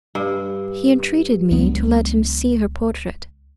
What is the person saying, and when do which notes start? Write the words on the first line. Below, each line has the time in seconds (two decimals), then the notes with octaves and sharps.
He entreated me to let him see her portrait.
0.15 G2
1.51 C#2 F#3 B3 D4